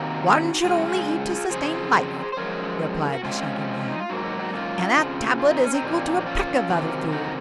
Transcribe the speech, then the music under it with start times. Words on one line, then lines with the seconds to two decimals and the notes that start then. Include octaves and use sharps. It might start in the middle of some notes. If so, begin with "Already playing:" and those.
"One should only eat to sustain life," replied the Shaggy Man, "and that tablet is equal to a peck of other food."
Already playing: C3 D#3 A#3 D#4 F#4
0.64 F#2 C#3 G#3 G#4
0.75 F#4
0.85 F4 G#4
1.50 F2 C#3 F#3 G#4 C5
2.32 C5
2.37 F#2 F3 G#3 A#4 C#5
3.13 F#4
3.23 C3 F3 G#3 C#4 F4
3.88 D#4
3.99 F4
4.10 G#2 F#3 A#3 D#4 F#4
4.25 D#4 F#4
4.39 D#4 F#4
4.54 C#4 F4
4.97 F2 C#3 F3
5.40 F4
5.52 D#4
5.63 C#4
5.74 C4 D#4
5.83 A#2 F3 A#3
6.21 D#4
6.26 C#4 F4
6.69 C3 D#3 F#3 A#3
7.12 D#4 F#4